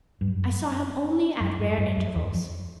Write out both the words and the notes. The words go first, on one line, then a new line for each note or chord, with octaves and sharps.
I saw him only at rare intervals.
G2
F#2
F#2
G2
G2
F#2
E2
F2